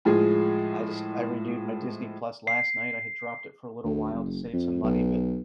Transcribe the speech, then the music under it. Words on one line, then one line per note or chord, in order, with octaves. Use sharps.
I just I renewed my Disney+ last night, I had dropped it for a little while to save some money, but
A2 F3 G#3 G#4
C7
D2
F#1
F2
B1